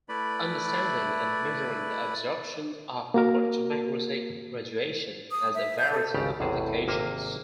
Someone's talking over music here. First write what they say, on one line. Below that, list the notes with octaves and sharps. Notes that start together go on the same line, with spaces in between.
Understanding and measuring the absorption of electromagnetic radiation has a variety of applications.
A3 E4 B4 D5 B5
A#3 F#4 A#4
D#6
E5
G6
A4
G#1 C#2 C#3 G4 D5
A1 E2 A2 C3 G#4 A5
G#1 C3 A#3 E5 F5